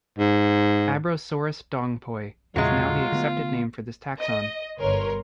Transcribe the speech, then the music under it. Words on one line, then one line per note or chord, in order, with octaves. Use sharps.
"Abrosaurus dongpoi" is now the accepted name for this taxon.
G#2
E2 A#2 C#3 F#3 G#3 F4
D3 A3 B3
D#5
G1 A#4 B4 C#5 C6